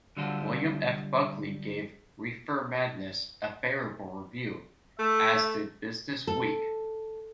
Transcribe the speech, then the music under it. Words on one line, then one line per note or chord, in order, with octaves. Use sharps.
William F. Buckley gave "Reefer Madness" a favorable review, as did "BusinessWeek".
D3 F#3 G3 F4 F#4 A4
A3 E5
A4